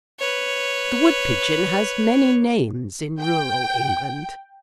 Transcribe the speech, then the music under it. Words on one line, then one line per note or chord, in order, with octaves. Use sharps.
The woodpigeon has many names in rural England.
B4 C#5
G5